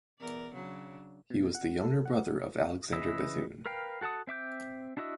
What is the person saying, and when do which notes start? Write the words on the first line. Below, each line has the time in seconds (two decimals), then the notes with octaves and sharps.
He was the younger brother of Alexander Bethune.
0.20 E2 A#4 D5
0.53 C#3 F#3 D4
1.30 B2
1.55 F#5
1.81 A4
2.05 F#5
2.93 C#3 E3 B4 D#5 E5
3.66 A#4 B4 F5 G5
4.01 F#4 A4 F#5 A5 D#6
4.27 C4 E5 D6 G6
4.97 D4 E4 F#4 D#5 E5